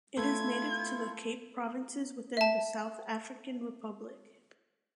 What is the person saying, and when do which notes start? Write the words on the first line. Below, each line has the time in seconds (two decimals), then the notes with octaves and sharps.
It is native to the Cape Provinces within the South African Republic.
0.17 A3 E4 F4 G#6
2.37 E5 A5